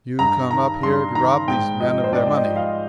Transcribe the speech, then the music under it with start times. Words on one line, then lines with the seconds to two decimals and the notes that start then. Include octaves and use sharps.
You come up here to rob these men of their money.
0.19 G2 A#5
0.51 D#3 A#5
0.83 G2 C6
1.15 D#3 A#5
1.48 G#2 G5
1.80 F3 D#5
2.04 C5
2.13 G#2 D5
2.27 D5
2.34 D#5
2.45 F3
2.56 F5